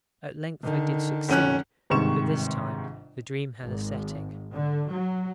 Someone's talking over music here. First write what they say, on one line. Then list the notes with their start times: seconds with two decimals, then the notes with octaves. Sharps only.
At length I did succeed, but this time the dream had a setting.
0.63 D3 D#3
1.29 F1 C#4 F#6
1.90 G1 G#2 C3 D#3 C#6 E7
3.64 G#1
4.54 D3
4.92 F#3